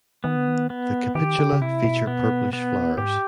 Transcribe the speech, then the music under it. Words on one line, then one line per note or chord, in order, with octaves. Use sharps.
The capitula feature purplish flowers.
D#3 B3
D3
D#3
B3
D#3 G4
D3
C#3
C3 E4
B2
B3
B3
G#2 G4